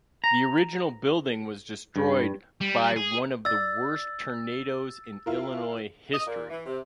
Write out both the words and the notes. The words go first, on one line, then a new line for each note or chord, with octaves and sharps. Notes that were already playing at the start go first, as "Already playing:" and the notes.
The original building was destroyed by one of the worst tornadoes in Illinois history.
A#5
G2
G3
G#4
D5 E6 A6
E4 F4 A#4
D#5
A#2
E3
C3